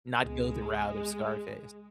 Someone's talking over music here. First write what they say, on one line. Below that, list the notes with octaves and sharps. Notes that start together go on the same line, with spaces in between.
Not go the route of Scarface.
C#2 B2 G#3